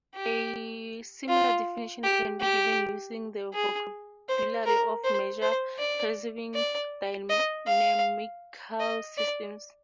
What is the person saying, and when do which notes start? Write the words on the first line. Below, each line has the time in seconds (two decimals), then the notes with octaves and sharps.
A similar definition can be given using the vocabulary of measure-preserving dynamical systems.
0.15 G4
1.28 F4
2.04 G4
2.41 G4
3.54 G#4
4.29 C5
4.66 A#4
5.04 C5
5.42 C5
5.79 D5
6.54 D5
7.30 D#5
7.67 F5
8.80 D#5
9.18 D5